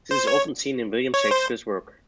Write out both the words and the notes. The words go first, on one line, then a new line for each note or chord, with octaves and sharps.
This is often seen in William Shakespeare's work.
C5
C#5
C#5
C5